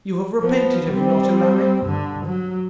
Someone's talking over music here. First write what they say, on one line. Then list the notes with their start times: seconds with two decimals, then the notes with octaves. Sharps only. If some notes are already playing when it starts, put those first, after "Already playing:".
You have repented, have you not, Alaric?'
0.41 F3 B3
0.89 G3 C4
1.81 G2 D3
2.25 F#3